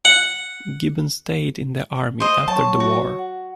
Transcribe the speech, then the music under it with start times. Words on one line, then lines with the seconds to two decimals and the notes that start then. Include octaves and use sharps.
Gibbon stayed in the army after the war.
0.05 F#5
2.20 C5 D#5
2.48 F#3 C#5 A5 C#6
2.80 F#4
3.19 F#5